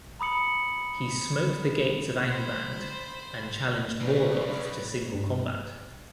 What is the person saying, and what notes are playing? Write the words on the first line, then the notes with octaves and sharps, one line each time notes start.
He smote the gates of Angband and challenged Morgoth to single combat.
A#5 B5 D#6 C#7 F#7
C5 B5
B1 B2 D4 B4 C#5
G2